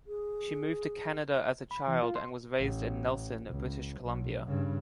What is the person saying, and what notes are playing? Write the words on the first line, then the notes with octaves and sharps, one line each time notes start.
She moved to Canada as a child, and was raised in Nelson, British Columbia.
G#4
B5
E3
F4
C6
A1
C#2
B1
G2 C#3